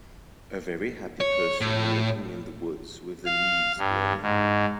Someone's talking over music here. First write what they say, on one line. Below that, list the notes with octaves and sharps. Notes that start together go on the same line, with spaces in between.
A very happy person walking in the woods with the leaves blowing.
C#5
A2
F5
G2
G#2